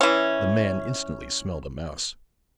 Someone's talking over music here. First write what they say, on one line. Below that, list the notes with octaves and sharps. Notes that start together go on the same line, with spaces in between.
The man instantly smelled a mouse.
E3 C#4